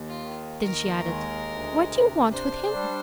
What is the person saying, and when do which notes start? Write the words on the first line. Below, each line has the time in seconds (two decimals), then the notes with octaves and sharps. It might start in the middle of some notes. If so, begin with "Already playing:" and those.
Then she added: "What do you want with him?"
Already playing: D#2
0.08 F4
0.22 D#3
0.63 D#2 A#4
1.06 G#3
1.48 D2
1.90 C3
2.32 D4 C5
2.74 G3